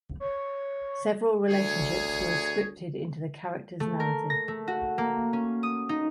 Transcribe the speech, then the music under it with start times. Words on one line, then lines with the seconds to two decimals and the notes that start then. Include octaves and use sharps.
Several relationships were scripted into the character's narrative.
0.20 C#5
1.48 D2 G#4 C#5
3.80 A3
4.00 A#4
4.30 A#6
4.48 A3
4.68 F#4
4.98 A#3
5.33 C#4
5.63 D#6
5.89 D#4